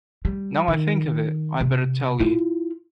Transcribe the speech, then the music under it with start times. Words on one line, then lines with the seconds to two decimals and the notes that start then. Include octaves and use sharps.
Now I think of it, I’d better tell you.
0.25 G3
0.68 D#3
1.61 C3
2.20 E4 F4